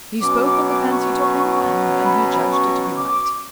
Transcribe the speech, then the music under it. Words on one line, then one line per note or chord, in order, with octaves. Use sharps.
He spoke when the fancy took him and when he judged it to be right.
B2 F#3 C#4 D6
D6
D6
C#6
B5
C#6
D6